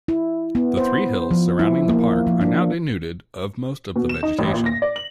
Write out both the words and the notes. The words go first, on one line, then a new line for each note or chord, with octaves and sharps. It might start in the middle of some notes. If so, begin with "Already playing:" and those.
The three hills surrounding the park are now denuded of most of the vegetation.
E4
B3
C5
F3
E4
A#3
F3
D4
B2
E7
D#4
A1
A#2
A#6
D5
F#7